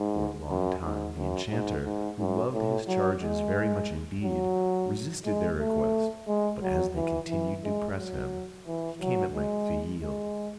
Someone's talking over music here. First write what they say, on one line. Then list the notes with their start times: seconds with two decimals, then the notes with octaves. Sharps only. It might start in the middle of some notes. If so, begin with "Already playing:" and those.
For a long time the enchanter, who loved his charges very much indeed, resisted their request; but as they continued to press him, he came at length to yield.
Already playing: G#2
0.49 F#2
0.83 G#2
1.17 F#2
1.51 G#2
1.85 G#2
2.19 F#2
2.54 A2
2.88 F#3
3.22 G#3
4.23 F#3
5.25 G#3
5.60 A3
6.28 G#3
6.62 F#3
6.96 E3
7.30 E3
7.64 G#3
7.98 F#3
8.67 E3
9.01 F#3
9.35 G#3
10.02 G#3